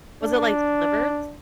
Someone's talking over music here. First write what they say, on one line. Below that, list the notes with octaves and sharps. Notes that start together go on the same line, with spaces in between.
Was it, like, slivers?
D4